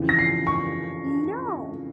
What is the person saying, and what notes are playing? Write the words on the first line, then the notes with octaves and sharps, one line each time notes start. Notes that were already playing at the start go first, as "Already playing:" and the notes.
Uh, no.
Already playing: F2 C#3 E3
A#6
C7
C#6